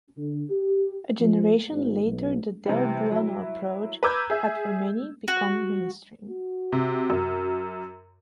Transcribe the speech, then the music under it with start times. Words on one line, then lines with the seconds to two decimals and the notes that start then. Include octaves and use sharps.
A generation later the del Buono approach had for many become mainstream.
0.17 D3
0.51 G4
1.21 F3
1.71 G#1
2.04 B1
2.66 C3 E3 G3
3.11 F#3 E4
4.03 B4 A#5 D6 E6 G6 G#6
4.30 G#4 E5
5.28 F#4
6.30 F#4
6.72 C3
7.10 F#2